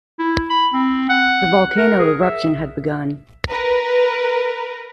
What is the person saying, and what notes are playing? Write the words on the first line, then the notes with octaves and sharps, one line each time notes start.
The volcano eruption had begun.
E4
B5
C4
F#5
A#4
G#4
E5
A#4 B4